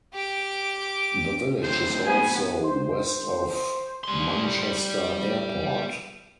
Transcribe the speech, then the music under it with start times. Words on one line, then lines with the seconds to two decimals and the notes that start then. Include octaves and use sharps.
The village is also west of Manchester Airport.
0.14 G4 D6
1.63 A2 F#3 C4 C5
2.06 B3 G#4 G#5
2.64 C5
4.04 G3 C6